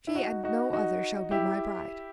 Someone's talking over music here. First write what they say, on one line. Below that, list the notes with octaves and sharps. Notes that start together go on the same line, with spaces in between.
She, and no other, shall be my bride.'
E4
D#4 F#4
D#4 F#4
D#4 F#4
E4 G4